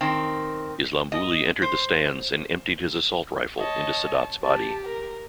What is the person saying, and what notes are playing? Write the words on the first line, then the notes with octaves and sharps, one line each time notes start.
Islambouli entered the stands and emptied his assault rifle into Sadat's body.
D#3 C4
D#5
C5
C#5 D#5 A5
G4 A5
A#4